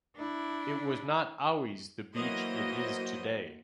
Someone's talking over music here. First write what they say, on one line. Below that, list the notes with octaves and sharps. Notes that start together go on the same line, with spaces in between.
It was not always the beach it is today.
D4 E4
E3 F#3 A#3 C5 D#5